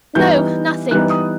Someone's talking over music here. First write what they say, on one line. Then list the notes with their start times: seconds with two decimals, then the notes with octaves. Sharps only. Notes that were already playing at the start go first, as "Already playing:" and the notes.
'No, nothing.
0.15 E3 G3 B3 D#4 G6
0.91 E3 G3 B3 D#4 F#6
1.10 D#6